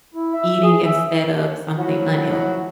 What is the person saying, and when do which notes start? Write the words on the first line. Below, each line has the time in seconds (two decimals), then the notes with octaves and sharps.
eating instead of something unhealthy?
0.14 E4
0.33 E5
0.63 G#4
0.84 E5
1.77 F3 F#3 E4 F#4